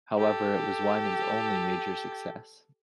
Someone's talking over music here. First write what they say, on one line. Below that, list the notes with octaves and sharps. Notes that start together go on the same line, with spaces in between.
However it was Wyman's only major success.
G4 A4